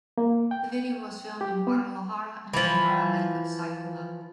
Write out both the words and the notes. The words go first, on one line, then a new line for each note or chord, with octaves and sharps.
The video was filmed in Guadalajara and in the dry lake of Sayula.
A#3
G5
G4
B3
E3 F3